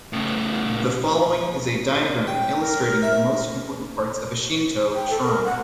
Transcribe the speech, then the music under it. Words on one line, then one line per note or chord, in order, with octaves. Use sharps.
The following is a diagram illustrating the most important parts of a Shinto shrine.
A2 C#3
G5
A#4
E5
G5
A4
A#4
F#5